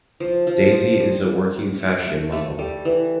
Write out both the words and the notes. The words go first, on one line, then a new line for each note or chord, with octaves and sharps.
Daisy is a working fashion model.
F3
F3
F3
G3
A3
A3
A3
G3
E3